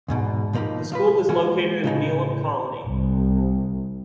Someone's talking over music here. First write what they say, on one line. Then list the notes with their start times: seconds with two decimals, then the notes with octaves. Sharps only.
The school is located in Neelum Colony.
0.08 E2 G#2 B2
0.53 B2 F3 A#3 D#4 B5
0.92 F3 F4 B4
1.29 E3 G#3 A#3 F4 F#4
1.84 A2 C#3 D#4
2.85 C2